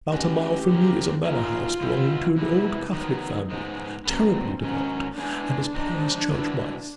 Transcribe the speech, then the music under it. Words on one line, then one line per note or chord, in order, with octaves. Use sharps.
About a mile from me is a manor-house belonging to an old Catholic family, terribly devout and as poor as church-mice.
A3 C#4 F#4 G4 B4 D#5
F#2 D3 F3 A#3
F#3 A#3 D#4 F4 G#4
D#3 G#3 B3 E4 G4
C3 E3 G3 B3 E4
D#3 F#3 B3 D#4
G#2 F3 G#3 B3
A#2 F#3 B3 C#4
C4
G#2 D#3 F#3 C#4
G#3 B3 D4 E4 G#4
F3 G#3 C4 D#4
B2 G3 B3 E4